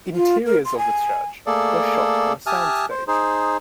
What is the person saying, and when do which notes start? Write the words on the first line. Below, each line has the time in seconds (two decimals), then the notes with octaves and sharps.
Interiors of the church were shot on a soundstage.
0.16 F4
0.46 A#4
0.65 C6
0.78 G#5
1.46 A3 A#3 G#4 A4 D5
2.46 G4 E5 G#5 A5 D#6 F6
2.90 C5
3.08 D#4 G#4 C5